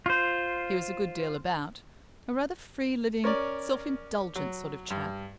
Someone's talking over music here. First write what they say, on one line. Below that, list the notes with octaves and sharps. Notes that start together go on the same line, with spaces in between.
He was a good deal about--a rather free-living, self-indulgent sort of chap.
F4 C5
C#4 A#4 C#5 D5
F#3
G2